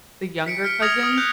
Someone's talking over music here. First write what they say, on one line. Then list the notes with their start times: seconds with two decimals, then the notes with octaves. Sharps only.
the younger cousins
0.46 B6 C#7 D7
0.64 F6 B6 C#7 D7
0.82 D#6 F6 G#6 A#6 C#7 F7
1.03 D#6 F6
1.17 F#6 G6